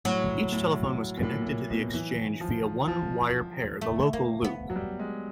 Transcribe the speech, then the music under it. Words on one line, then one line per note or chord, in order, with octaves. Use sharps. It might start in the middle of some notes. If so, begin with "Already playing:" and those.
Each telephone was connected to the exchange via one wire pair, the local loop.
A2 F#3
A2
A#2
A2
A2
A#2
B2
E3
F3
F3
A3
A#3
B3
F#3
G3
G#3